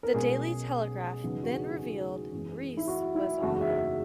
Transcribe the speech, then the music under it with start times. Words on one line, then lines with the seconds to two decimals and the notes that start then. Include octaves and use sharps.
"The Daily Telegraph" then revealed Rees was author.
0.03 A#4
0.14 B1 B2 G#3 C#4 G#4
1.23 E2 C#3 F#3 B3 D#4
1.43 F#4
1.51 G#4
1.69 F#4
1.78 G#4
2.33 F#2 E3 G#3 B3
2.77 E4
2.87 F#4
3.15 E4
3.42 F#1 E2 C#3 G#3 D#4 F#4
3.61 E5